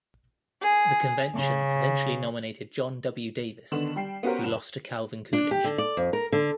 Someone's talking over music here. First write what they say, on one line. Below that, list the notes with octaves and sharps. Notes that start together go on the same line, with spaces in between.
The Convention eventually nominated John W. Davis, who lost to Calvin Coolidge.
G#4
C#3
D3 D#3 B3 D4 E7 F#7
G3 G5 C7
B3 C#4 F#4 G4 A#4 C5
F#1 E7
D4
G4
D3
D5
F2
A#4
D3